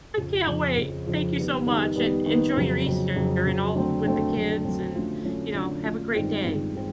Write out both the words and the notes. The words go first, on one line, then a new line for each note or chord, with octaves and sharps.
can't wait. Thank you so much, and enjoy your Easter and all with the kids, and, you know, have a great day.
F2 C#3 F3
F2 C#3 F3
F2 C#3 F3
F2 C#3 F3
D#3 G3 B3
D#3 G3 B3
D#3 G3 B3
D#3 G3 B3
F2 C#3 F#3
F2 C#3 F#3
F2 C#3 F#3
F2 C#3 F#3
D3 F#3 A3 C4
D3 F#3 A3 C4
D3 F#3 A3 C4
D3 F#3 A3 C4
D3 F#3 A3 C#4 F4
D3 F#3 A3 C#4 F4
D3 F#3 A3 C#4 F4
D3 F#3 A3 C#4 F4
G2 D#3 G#3 C4 F4
G2 D#3 G#3 C4 F4
D#3 G#3 C4